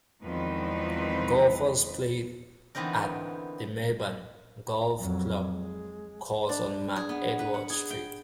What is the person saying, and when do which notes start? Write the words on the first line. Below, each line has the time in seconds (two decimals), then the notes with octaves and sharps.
Golfers play at the Merbein Golf Club course on McEdward Street.
0.22 E2 D#3 F3 G#3 C4 B4
2.75 D3 E3 B3 C4 D#4 A#4
4.98 F2 F#3
5.52 G#3
6.49 D4
6.96 G#4
7.09 B3
7.39 B4
7.54 F#5
7.70 G#4
7.90 G5